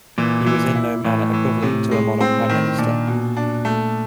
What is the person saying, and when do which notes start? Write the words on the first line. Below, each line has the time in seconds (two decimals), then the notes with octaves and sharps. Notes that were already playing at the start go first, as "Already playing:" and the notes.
He was in no manner equivalent to a modern Prime Minister.
0.18 A#2 E3
0.46 E3
0.75 E4
1.04 A2 E3
1.33 E3
1.62 C3
1.91 G#3
2.21 C4
2.49 D#3
2.78 A#2 D4
3.07 B2
3.36 D4
3.65 A3